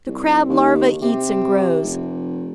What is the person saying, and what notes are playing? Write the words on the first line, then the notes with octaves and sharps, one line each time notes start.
The Crab larva eats and grows.
C2
D#2
C3
F1